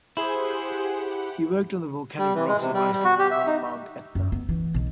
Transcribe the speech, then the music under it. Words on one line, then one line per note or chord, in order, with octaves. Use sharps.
He worked on the volcanic rocks of Iceland and on Mount Etna.
E4 G4 G#4 C5 F#5
G3
E3
G#3
C3
G3
G3
F#4
G4
E5
D#4
F#2
B3
E3
B1